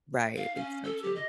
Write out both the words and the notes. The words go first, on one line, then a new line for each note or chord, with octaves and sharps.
Right, it's so true.
F5
C#4
A4
G4
D#5